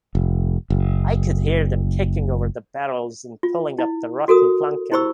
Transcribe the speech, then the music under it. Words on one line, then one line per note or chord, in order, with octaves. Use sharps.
I could hear them kicking over the barrels and pulling up the rotten planking.
F1
F#1
F4
E4
F#4 A4 A#4 D#6
E4 G4 C5 B5 C#6 E6